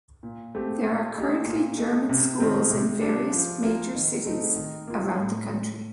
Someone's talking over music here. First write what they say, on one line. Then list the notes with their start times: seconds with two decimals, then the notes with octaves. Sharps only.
There are currently German schools in various major cities around the country.
0.23 A#2
0.55 A3 C4 G4
0.85 A#2
1.17 A3 D#4 G4
1.46 A#2
1.78 A3 D#4
2.09 C3
2.40 D#3 A3 C4
2.70 C3
3.01 G3 D4
3.33 F3
3.63 A#3 F4
3.95 D#3
4.25 A3 C4 D#4
4.56 D#3
4.88 A#3 F4
5.18 A2